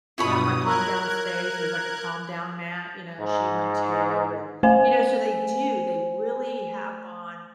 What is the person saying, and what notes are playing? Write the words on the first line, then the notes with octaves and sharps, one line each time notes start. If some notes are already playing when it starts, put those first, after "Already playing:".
have my calm down space." There's like a calm down mat, you know, she went to. And, you know, so they do, they really have gone
G2 B2 E4 F4 C#5 B5 D#6
A#4 A#5 C#6 E6 F#6 G#6
G#2
A3 C5 G#5